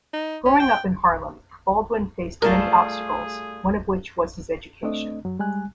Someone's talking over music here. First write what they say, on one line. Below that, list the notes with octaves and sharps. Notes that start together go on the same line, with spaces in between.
Growing up in Harlem, Baldwin faced many obstacles, one of which was his education.
D#4
C#4
G5
G3 A3 F4 G#4 A#4
A3 C4 D4 D#5
F#2 F#3
G3 G#3 G#5 F#6